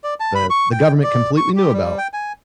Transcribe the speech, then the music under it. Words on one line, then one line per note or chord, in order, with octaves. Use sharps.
the the government completely knew about,
D5
A5
B5
C#6
G5
D5
C#6
G4
G3
G5
G#5